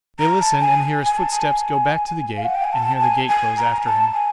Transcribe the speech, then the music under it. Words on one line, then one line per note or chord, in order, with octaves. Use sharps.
They listen, and hear his footsteps go back to the gate, and hear the gate close after him.
A#5
A5
G#5
G#5
A5
G#5
F5
F#5
G5
G#5
A5
G#5
G#5
A#5
A5
G#5